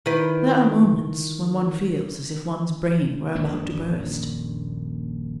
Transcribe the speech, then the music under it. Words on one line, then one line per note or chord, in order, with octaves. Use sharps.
There are moments when one feels as if one's brain were about to burst.
D#3 E4 B4
D#1 A#1 F#2 D4